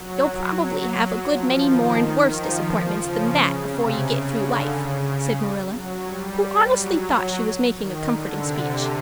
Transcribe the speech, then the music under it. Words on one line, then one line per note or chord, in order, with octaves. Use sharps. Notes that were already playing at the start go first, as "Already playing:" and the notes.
"You'll probably have a good many more and worse disappointments than that before you get through life," said Marilla, who honestly thought she was making a comforting speech.
Already playing: F#3
F3
D#3
D#3
F3
C#3
C3
C#3
D3
C#3
F#3
G3
F#3
D#3
D3
C3